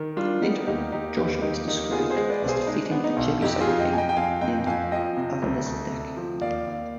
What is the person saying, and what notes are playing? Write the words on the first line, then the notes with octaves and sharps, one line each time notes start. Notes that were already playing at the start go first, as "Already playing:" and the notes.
Later, Joshua is described as defeating a Jebusite king named "Adonizedek".
Already playing: D#3
G3 D4 F4
B3 D#4 G4
D#2 D#4 G4
D#2 D#4 G4
D#2 G4 B4
D#2 D#4 G4
D#2 D#4 G4
B3 F4 G#4
G#4 C5
G#3
B4 D5
B1
G#4 C5
G#3 D#4
D4
B3
D#4
B1
F2 D#4 G4
F4 G#4
F2
D#5 G5
F2 G#5
D#5 G5
G5
F2 F5 G#5
F2 D#5 G5
F2 F5 G#5
F3 D#5 G5
C3
D2
D2
C3
F3
D#2 D5 F5
D#2